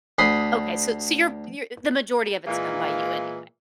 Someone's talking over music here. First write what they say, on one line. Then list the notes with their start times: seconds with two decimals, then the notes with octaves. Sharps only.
Okay, so so you're you're the majority of it's done by you anyway.
0.19 D2 B5 C6 D#6
2.47 A#2 E3 G#3 A#3